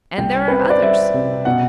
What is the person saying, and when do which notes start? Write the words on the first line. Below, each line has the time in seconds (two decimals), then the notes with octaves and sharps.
And there are others.
0.18 C2 G5
0.48 C4 B4
0.59 C5
0.70 D5
0.82 G3 E5
1.14 C3
1.45 B2 F#5